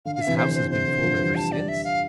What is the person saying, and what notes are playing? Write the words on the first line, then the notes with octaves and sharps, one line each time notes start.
His house has been full ever since.
D3 F5
F5
E5
C3 E3
C5
D3
C5
C3 C5
D3
D3 F3
E3 G3
A5
D5
E5
F5